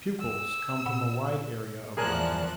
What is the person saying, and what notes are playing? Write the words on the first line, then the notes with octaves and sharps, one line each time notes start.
Pupils come from a wide area of London.
E6
A#2 F#5
E2 F3 G#4 A#4 D5 G#5 A5 F#6